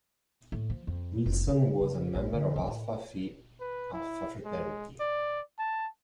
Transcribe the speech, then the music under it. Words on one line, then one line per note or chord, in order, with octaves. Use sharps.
Wilson was a member of Alpha Phi Alpha fraternity.
A2
F3
F2
F1
C#3
C#3
A#1
D3
C2
A2
B4
E4
G#3
D5
A5